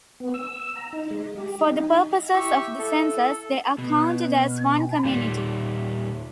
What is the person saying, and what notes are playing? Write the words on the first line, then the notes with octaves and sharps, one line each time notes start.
For the purposes of the census, they are counted as one community.
B3
E6
E6
A#5
D#4
G#3
G4
D#4
E4 G4 C#6 E6
A4
B2
A#2 G3